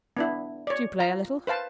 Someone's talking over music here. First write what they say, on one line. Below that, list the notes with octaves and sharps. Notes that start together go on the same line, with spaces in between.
"Do you play a little?"
B3 D4 E4
C#5 D5
F4 F5 A#5
B4 C5 F5 A5